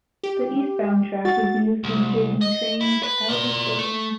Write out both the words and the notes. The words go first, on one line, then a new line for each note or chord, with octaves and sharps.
The eastbound track is used when taking trains out of service.
G4
F#4 A6
C2
D#5
E4
B4
A#4 D5
A3